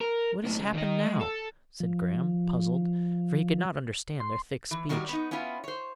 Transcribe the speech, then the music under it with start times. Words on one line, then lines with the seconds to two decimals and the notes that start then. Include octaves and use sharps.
"What has happened now?" said Graham, puzzled, for he could not understand their thick speech.
0.01 A#4
0.44 B1 A2
0.59 C#2
0.74 D#3 D#5
1.06 G#3
1.21 A4
1.80 F3
4.20 C6
4.71 E3
4.89 D#3 F#3 G3 A#4 C#5 D5
5.09 B3 D#4
5.31 B3 C#4 E4 F4
5.64 C5 C#5